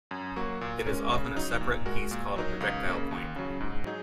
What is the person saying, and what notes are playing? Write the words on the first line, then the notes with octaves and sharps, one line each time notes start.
It is often a separate piece called a projectile point.
F#2
F#3 A#3 F#4 A#4
A#2
G#3 C#4 A#4
C#3
F#3 D#4
A#2
G#3 F#4 A#4
A#2
F#3 D#4 A#4
C#2
C#3 A#3
D#2
C#3 F#3
G#2
F#3 D#4 G#4